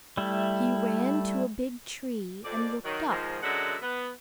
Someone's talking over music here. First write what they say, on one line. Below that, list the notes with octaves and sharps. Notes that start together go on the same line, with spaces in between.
He ran to a big tree and looked up.
G3 A3 E4
F2 D5
D#3 F#3
G#2 D#3 F3
F#2 D3 F#3 G#3 E5 F#5
B3